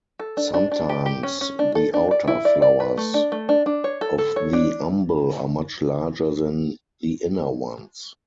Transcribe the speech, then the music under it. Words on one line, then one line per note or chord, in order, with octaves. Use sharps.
Sometimes the outer flowers of the umbel are much larger than the inner ones.
A4
D4
D4
D4
G4
G4
C#4
C#4
D4
A4
D4
D5
E4
D5
D5
B4
A3
D4
A3
D4
D4
C#5
A4
A4
C#5
D4